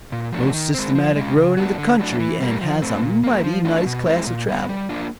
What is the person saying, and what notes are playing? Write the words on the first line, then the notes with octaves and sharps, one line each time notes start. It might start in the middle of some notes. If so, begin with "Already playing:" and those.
Most systematic road in the country and has a mighty nice class of travel.
A#2
F3 A3 D4 F#4
D#3
G#3 C4
F3
G#3 C#4
C#3
F#3 B3 D4 F#4
D3
F#3 A3 D4 F#4
E3
G3 A#3
F3
A3 C4
A#2
F#3 A#3
F3
A3 D4 F4
B2
G#3 C4 E4
A#2
G3 B3
G3
A#3 D4 F4